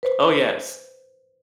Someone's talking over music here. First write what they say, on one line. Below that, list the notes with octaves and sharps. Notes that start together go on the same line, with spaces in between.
Oh, yes."
B4 C5